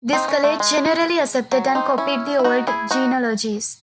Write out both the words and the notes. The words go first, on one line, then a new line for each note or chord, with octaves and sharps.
This college generally accepted and copied the old genealogies.
C4 D#4
C#4
A3
G#3
F#3
C4 D#4
C#4 E4
E4
D#4 F#4
E4 G#4
D#4 F#4